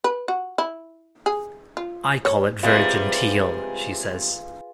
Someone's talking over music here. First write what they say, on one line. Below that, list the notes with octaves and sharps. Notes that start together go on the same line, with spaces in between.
"I call it very genteel," she says.
B4
F#4
E4
G#4
F4
C#5
C3 G3 G#3 F4 G#4 B4